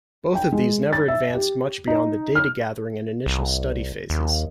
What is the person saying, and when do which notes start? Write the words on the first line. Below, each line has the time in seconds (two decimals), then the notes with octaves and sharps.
Both of these never advanced much beyond the data gathering and initial study phases.
0.35 G5
0.52 G#3
0.93 A6
1.08 E5
1.34 G4
1.88 D#4
2.35 F6
3.26 C2
4.10 D#2